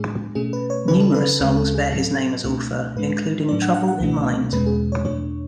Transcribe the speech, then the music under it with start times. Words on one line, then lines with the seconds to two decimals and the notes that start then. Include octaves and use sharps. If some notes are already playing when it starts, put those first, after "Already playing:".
Numerous songs bear his name as author, including "Trouble in Mind".
Already playing: A2 G#3 D4 G#4
0.35 B2 A3 C#4 G#4
0.53 B4
0.70 C#5
0.88 C#3 F#3 C#4 B4
1.00 A4
1.14 B4
1.40 D2 C#3 G#3 B4
1.57 A4
1.74 G#4
1.92 A2 F#3 C#4 A4
2.45 C#2 B2 A3 D4
2.96 A2 G#3 D4 B4
3.49 A2 F#3 A3 D4 D5
3.62 F#5
3.74 F#5
3.88 F#5
4.00 C#2 B2 A3 D4
4.52 E2 B2 G#3 C#4 B4
4.66 G#4
4.92 C#5
5.05 E2 B2 A3 D4 C#5